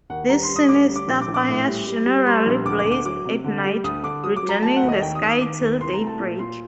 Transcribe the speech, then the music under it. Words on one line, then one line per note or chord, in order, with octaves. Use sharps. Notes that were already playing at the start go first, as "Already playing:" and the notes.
These sinister fires generally blazed at night, reddening the sky till daybreak.
D#2 F#5
G3 A#5
C6
G3
D#6
D2 D6
G3
D6
A#1
D6
A#1
D6
A2
G3
G3
G3
G3 C6
A#1
D2 D6
D6
D2
D6
F#3 D6
C3
D3
G3
D2 D#6
D3 D6
F#3 D#6
D6
F#3
A#5
A3 A5
F#5
D#2
D#5
D#3 G5
D#6
D#3
D#6
D#3 D6
D#2
C2 C6
A#5
A3
A5
A#2
A#2 C6